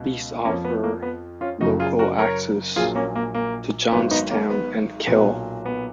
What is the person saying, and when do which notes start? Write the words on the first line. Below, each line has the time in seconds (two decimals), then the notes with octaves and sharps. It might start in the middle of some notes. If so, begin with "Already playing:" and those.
These offer local access to Johnstown and Kill.
Already playing: C#2 B2
0.45 F2 A#3 C#4
0.48 F3
0.64 B3
0.83 A#3
1.02 B3
1.41 C#4 F4
1.61 F#1 F#2 C#3 F#3 D#4 F#4
1.80 F4 G#4
1.99 F#4 A#4
2.19 A#4 C#5
2.76 A#1 A#2 F#3 F4 G#4
2.95 A#3 C#4
3.15 A#3
3.34 A#3
3.92 G#1 G#2 F#3 B3
4.11 B3 D#4
4.30 A#3 C#4
4.50 B3
5.07 B1 A#2 F#3 B3
5.65 B3